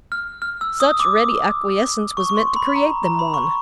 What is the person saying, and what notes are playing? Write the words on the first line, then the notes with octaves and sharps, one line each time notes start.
Such ready acquiescence was meant to create them one.
F6
F6
E6
D#6
D6
C#6
C#6
C6
B5
A#5
A#5
B5
C#6